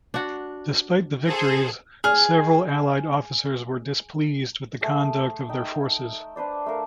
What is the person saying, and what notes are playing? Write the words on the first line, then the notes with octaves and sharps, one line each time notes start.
Despite the victories, several allied officers were displeased with the conduct of their forces.
D4 F#4
G#4 A4 C5
G#4 F6
A3 G#4
D#4 E5 G5
D4 B4 C5 D5
A3 D4 A#4 F5